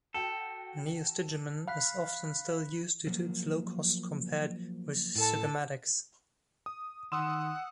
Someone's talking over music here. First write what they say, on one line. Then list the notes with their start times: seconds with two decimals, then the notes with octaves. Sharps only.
Neostigmine is often still used due to its low cost compared with sugammadex.
0.14 F#4 A4 G5
1.68 F5 B5 F#6 B6
3.07 F3 F#3 A#3
5.16 A2 A4 A5
6.66 D#6
7.12 D#3 F#5 C6 D#6 E6 E7